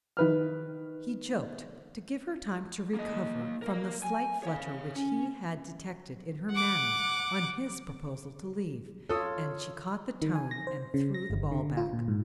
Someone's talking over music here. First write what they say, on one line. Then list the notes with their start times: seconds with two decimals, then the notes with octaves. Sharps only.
He joked, to give her time to recover from the slight flutter which he had detected in her manner on his proposal to leave; and she caught the tone, and threw the ball back.
0.17 D#3 B4 F6
2.94 A#3 D#5
3.62 A#4 F5
4.03 G#5
4.43 C#5 F5
4.96 C#4
6.51 F#5 D6
9.09 F4 A4 C#5 D#6
10.22 D#3
10.35 G#5
10.51 A#6
10.67 C5
10.94 C#3
11.14 A#6
11.30 G1
11.52 D3
11.77 F4
11.93 A#2
12.08 G#2